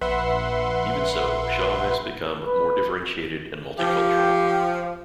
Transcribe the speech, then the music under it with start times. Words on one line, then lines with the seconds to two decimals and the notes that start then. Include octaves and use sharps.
Even so, Shaw has become more differentiated and multicultural.
0.01 A#1 B4 E5 F#5 C6
2.45 B4
3.79 F3 G4